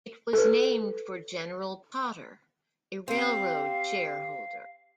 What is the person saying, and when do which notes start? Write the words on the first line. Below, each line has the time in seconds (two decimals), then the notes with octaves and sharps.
It was named for General Potter, a railroad shareholder.
0.33 A4 B4
3.08 C4 G4 F5